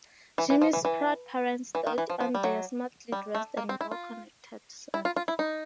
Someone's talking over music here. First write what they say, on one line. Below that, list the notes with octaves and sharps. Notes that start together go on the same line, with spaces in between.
Jimmy's proud parents dote on their smartly dressed and well-connected son.
E3
E3
F3
E3
E3
E3
D#3
E3
F3
F3
G3
F#3
G3
A3
A#3
C4
E4
F4
E4
F4
F4
E4
D#4